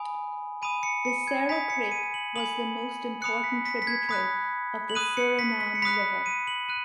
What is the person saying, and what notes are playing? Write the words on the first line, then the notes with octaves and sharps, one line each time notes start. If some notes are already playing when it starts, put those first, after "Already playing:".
The Sara Creek was the most important tributary of the Suriname River.
Already playing: G#5 B5 D#6
G#5 B5 D#6 D#7
C#7
C#7
G#6
G#5 B5 D#6 B6
C#7
D#7
F#7
G#5 B5 D#6 F#7
B5 D#6 F#6 C#7
B6
B6
B6
G#6
B5 D#6 F#6 B6
F#7
B5 D#6 F#6 D#7
C#7
B6
B6
C#7
B5 D#6 F#6 B6
D#7
F#7
F#6 D#7